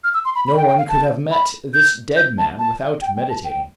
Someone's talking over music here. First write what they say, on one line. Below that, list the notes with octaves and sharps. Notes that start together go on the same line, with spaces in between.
No one could have met this dead man without meditating.
F6
E6
C6
B5
B5
G5
G5
F5
A5
B5
G6
G6
A5
A5
G5
G5
A5
G5